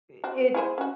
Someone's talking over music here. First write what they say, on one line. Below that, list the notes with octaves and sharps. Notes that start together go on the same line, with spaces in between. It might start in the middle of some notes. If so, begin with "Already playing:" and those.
i it
C4 F#4
E4 G#4 C5
C#4 F#4